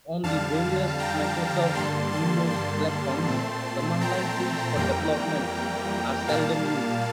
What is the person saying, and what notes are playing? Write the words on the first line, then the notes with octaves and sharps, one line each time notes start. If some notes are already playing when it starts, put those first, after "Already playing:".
On the various Microsoft Windows platforms, command-line tools for development are seldom used.
F2 D3 G3 F5 A5
G5 A#5
G2 D3 G3 A#3 A5 C6
A5 C6
A5 C6
A#2 A3 C4
G5 A#5
F2 E3 G3 A#3 G5 A#5
A#2 G3 A#3 F5 A5